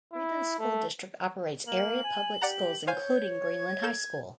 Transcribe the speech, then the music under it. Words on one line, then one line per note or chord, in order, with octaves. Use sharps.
Greenland School District operates area public schools including Greenland High School.
E4
A3
A#3 F#7
G#5
G4 D5 F#5 A#5
C5 C#5 F5 G#5 G6
G#6
A4 G6 E7